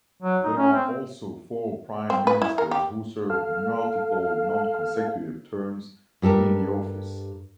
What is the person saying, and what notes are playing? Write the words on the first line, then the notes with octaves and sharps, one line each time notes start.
There are also four prime ministers who served multiple non-consecutive terms in the office.
F#3
D#4
C#4
C4
C4
B4
E4
A#4
G4
A4 F5
G2 G4 A4 A#4